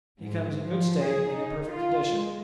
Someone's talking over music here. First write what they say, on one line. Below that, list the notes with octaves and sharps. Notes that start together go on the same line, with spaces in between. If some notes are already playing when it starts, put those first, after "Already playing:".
He comes in good state, and in perfect condition.
G#2
F3
G#4
D#4
F4
G#3